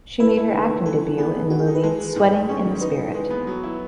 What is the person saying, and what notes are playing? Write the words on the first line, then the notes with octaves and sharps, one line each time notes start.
She made her acting debut in the movie "Sweating in the Spirit".
E4 B4
E4
D#3
D#3
E3 A4
E3
B3 G#4
E3
E3 F#4
G#4
D#4 A4
B4
G#3 A4
E3
G#2
A3
C#4 G#4
D#3
D#4 B4
E3
G#3 A4
B3
F#3
E4